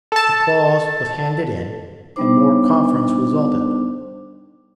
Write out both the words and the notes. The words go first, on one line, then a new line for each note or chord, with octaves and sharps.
The clause was handed in, and more conference resulted.
A4 A5
G3 B3 D4 D#4 C5 D6